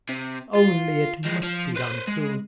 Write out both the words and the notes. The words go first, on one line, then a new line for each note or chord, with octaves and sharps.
Only it must be done soon.
C3
F4
F3 G#3
F3
B4 C5
G#3